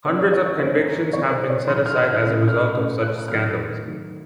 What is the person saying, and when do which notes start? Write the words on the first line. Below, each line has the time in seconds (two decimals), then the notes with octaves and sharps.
Hundreds of convictions have been set aside as a result of such scandals.
0.06 D#3 A#3 C#4 C#5
0.19 C#5
0.32 C#5
0.46 C#5
0.59 D#3 A#3 C#4 C5
0.78 A#4
1.13 D#3 F#3 C4 C#5
1.31 C5
1.50 C#5
1.67 D#3 F#3 C4 C6
1.86 F6
2.03 F6
2.22 C#3 A3 C#4
2.48 F6
2.74 C#3 A3 C#4 F6
3.02 F#6
3.28 D#3 F#3 A3 F6
3.82 D#3 F#3 A3